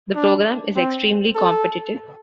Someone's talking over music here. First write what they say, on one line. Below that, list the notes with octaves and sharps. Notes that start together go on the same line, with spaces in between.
The program is extremely competitive.
D4
C4
A4